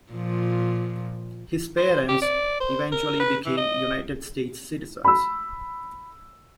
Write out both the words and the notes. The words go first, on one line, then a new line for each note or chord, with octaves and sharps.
His parents eventually became United States citizens.
A#2 F3
C5
G4
D5
C5
A#4
B4
E3
D#5
B5 E6